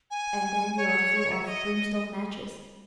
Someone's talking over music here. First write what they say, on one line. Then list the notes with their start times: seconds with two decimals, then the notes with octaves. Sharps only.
And then you're full of brimstone matches.
0.11 G#5
0.77 C#5
1.32 E5
1.43 E5
1.47 D#5